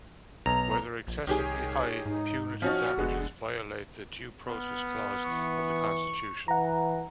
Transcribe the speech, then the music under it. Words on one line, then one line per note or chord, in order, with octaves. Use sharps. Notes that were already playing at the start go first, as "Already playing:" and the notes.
Whether excessively high punitive damages violate the Due Process clause of the Constitution.
B1 A#5
A#1
C2 D#3 G4 G#4 C#5
G#2 D#4
F3 C#4 D#4 F#4 F6
F1 D3 G#3 B3 F#5
B3 F6
E3 C#6
E3 F#5 A#5